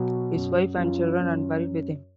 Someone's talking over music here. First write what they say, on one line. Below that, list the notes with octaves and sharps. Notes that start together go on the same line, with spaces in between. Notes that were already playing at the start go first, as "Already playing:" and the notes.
His wife and children are buried with him.
Already playing: B2 F#3 F#4
F#2
F#2 F4
F#2